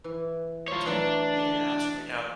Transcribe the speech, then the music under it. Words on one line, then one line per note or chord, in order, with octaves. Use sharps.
So, yeah. So right now,
E3
F4 C5 C#5
E3 F#3 A3 D4